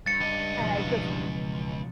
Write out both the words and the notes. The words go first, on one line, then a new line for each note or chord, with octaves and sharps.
and I've just
G2 A6 C#7
C#2 D#5
E2 B2 F3